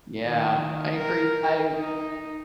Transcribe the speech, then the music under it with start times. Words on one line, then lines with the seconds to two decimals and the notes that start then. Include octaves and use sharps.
Yeah, I agree. I
0.24 D#3
0.98 A#4
1.73 D#4